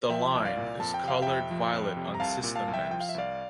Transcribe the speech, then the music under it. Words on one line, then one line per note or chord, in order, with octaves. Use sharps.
The line is colored violet on system maps.
F3 E5 G5
C2
D5 F5
A#2
F2 A5
G5
C3 F5
F2 E5 G5
F3
F2
C3
A#5
C2 F5 A5
A#2
F5 A5
C2
E5 G5
F3 G5
F5
E5
C2 D5 F5